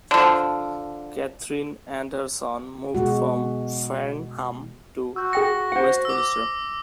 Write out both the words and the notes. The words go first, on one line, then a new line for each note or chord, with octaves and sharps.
Catherine and her son moved from Farnham to Westminster.
D3 F3
B2 G#3 F#4
F#4 E6 G6
G#4 G5 A#6 C#7
C5 F#5
D6 E6